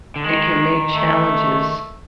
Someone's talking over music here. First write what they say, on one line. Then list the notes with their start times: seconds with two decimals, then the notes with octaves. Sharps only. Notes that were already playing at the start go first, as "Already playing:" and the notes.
it can make challenges
0.16 D3
0.23 D#3 G#3
0.95 A3